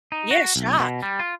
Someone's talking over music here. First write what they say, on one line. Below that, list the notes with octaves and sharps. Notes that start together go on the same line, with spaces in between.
Yeah, shocked,
D#4
F#4
B1
B2
G3
F4